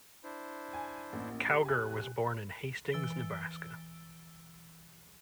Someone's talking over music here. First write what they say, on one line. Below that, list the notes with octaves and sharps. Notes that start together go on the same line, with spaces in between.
Cowger was born in Hastings, Nebraska.
D4 E4 C5
G#5
A1 A#3
G4 D#5
E2 C3 A3 G#5 F#6
E3 E6 A6 D7 G7